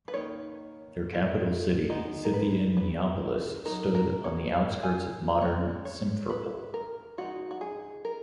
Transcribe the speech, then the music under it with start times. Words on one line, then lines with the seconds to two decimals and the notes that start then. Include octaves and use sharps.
Their capital city, Scythian Neapolis, stood on the outskirts of modern Simferopol.
0.08 B4
0.13 D#3 A#3 D#4 C#5
1.90 G#3 B3 D#4 D#5
2.25 A#4
2.34 B4
2.77 B4
3.65 F#3 A#3 D#4 A#4
3.95 A#4
4.25 C#5
4.53 F5
4.83 G#5
5.41 G#3 C#4 C#5
5.85 C#5
6.30 B4
6.74 A#4
7.18 F3 G#3 D#4 F#4
7.51 F#4
7.61 G#4
8.05 A#4